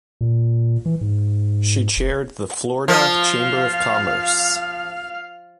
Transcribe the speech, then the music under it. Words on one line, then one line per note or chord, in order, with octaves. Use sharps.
She chaired the Florida Chamber of Commerce.
A#2
E3
G#2
F1
F3 F5